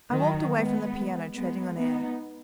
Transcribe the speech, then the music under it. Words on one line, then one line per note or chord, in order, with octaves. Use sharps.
I walked away from the piano treading on air.
D#3 F#3
G#3 B3
G#3 B3
B3 D#4